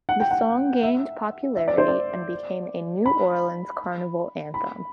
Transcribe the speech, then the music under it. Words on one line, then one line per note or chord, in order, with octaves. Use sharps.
The song gained popularity and became a New Orleans carnival anthem.
F#5
G5
F#5
E5
E5
D5
C5
D5
B5
B5